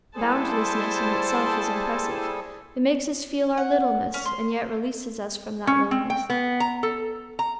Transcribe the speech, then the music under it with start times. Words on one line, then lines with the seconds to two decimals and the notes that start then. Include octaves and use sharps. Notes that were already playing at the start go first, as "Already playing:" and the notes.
Boundlessness in itself is impressive; it makes us feel our littleness, and yet releases us from that littleness.
0.16 G3 E4 G#4 A4 C5 A5
3.58 F#5
4.14 C#4
4.26 C6
5.67 C#4
5.91 C4
6.10 G5
6.30 B3
6.60 A#5
6.83 A4
7.39 A#5